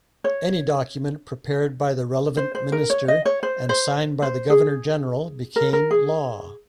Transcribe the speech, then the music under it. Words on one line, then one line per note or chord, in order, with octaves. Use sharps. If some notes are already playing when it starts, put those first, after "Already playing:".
Any document prepared by the relevant Minister and signed by the Governor-General became law.
C#5
C5
C5
A#4
C#5
D#5
C#5
C5
C5
C5
G#4
A#4
A#4
G#4